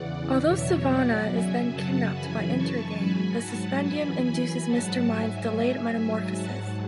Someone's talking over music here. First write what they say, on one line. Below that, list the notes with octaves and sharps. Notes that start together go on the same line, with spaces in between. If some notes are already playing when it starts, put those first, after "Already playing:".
Although Sivana is then kidnapped by Intergang, the Suspendium induces Mister Mind's delayed metamorphosis.
Already playing: E2 C#3 E3 D5 F#5
E2 B2 F#3 C#5 E5
D5 F#5
F#2 C#3 F#3 E5 G#5
F#5 A5
F#2 C#3 E3 G#5 B5
A5 C#6
G#2 F#3 G#5 B5
F#5 A5
F#2 E3 G#5 B5
G#5 B5
G#2 F#3 F#5 A5
E5 G#5
G#2 F#3
E5 G#5
G#2 F#3 F#5 A5